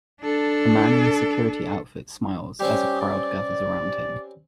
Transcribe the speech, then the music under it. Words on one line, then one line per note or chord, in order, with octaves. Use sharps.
A man in a security outfit smiles as a crowd gathers around him.
D4 A4
G3 C4 C#4 G4
D5